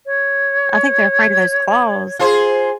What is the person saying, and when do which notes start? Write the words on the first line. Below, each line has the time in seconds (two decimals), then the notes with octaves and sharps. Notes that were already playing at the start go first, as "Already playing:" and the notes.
I think they're afraid of those claws.
0.06 C#5
2.19 F4 G#4 C5